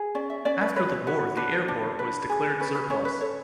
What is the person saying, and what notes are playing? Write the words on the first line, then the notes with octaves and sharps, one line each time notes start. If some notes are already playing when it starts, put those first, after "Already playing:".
After the war the airport was declared surplus.
Already playing: G#4
C#4 D5
E5
C#4 D5
B4
B4 C#5
F#4 B4
D4 B4
D4
B4
G#4
C#4 B4
B4
C#4 C#5
B4
A4 C#5